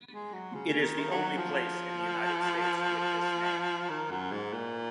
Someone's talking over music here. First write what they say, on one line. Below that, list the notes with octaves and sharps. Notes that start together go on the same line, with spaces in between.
It is the only place in the United States with this name.
G#3
F#3
C#3
D#3
F#3
F3
D#3
F#2
G#2
A#2